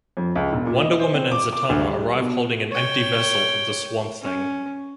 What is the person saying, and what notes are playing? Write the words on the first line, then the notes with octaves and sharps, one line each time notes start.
Wonder Woman and Zatanna arrive holding an empty vessel of the Swamp Thing.
F2
C#2
E1
A#2
D#5
C5
C4
D6
D6
D2
G3
B2
C#5 G5
C#4